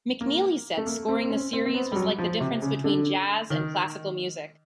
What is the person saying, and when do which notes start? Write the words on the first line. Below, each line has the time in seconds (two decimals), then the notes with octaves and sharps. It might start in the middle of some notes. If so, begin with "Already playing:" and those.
McNeely said scoring the series was like the difference between jazz and classical music.
0.21 A#3
0.77 A3
0.86 A#3
1.08 C4
1.24 C4
1.30 C#4
1.53 C4
1.65 C4
1.75 B3
1.92 G3
1.96 F#3
2.18 F3
2.40 C3
2.62 C#3
2.84 D3
3.50 D#3